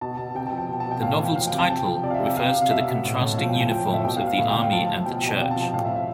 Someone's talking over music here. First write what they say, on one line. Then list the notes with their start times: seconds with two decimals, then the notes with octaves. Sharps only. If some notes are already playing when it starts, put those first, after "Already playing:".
The novel's title refers to the contrasting uniforms of the Army and the Church.
0.01 B2 A5
0.17 B2 A5
0.35 C3 G5
0.47 A5
0.52 F3
0.57 G5
0.69 B2
0.80 A5
0.86 B2
0.91 G5
1.02 A2 F5
1.14 F5
1.19 E3
1.25 G5
1.36 F3 F5
1.47 G5
1.53 C3
1.58 A5
1.70 C3 G5
1.87 F3
2.03 C3 D5
2.10 F5
2.14 E5
2.20 C3
2.26 G5
2.37 C3 F5
2.53 C3
2.61 F5
2.70 B2 E5
2.88 B2
3.05 A2
3.21 A2
3.38 F3 F5
3.49 G5
3.55 A2
3.60 G5
3.71 F3 G5
3.88 A2
3.94 E5
4.05 B2 G5
4.17 F5
4.22 B2
4.27 F5
4.38 A2 E5
4.50 G5
4.56 A2
4.62 F5
4.72 F3 A5
4.89 F3
5.06 B2 G5
5.23 B2
5.29 G5
5.40 C3 F5
5.51 A5
5.56 F3
5.63 G5
5.74 A2 F5
5.85 E5
5.91 F3
5.96 E5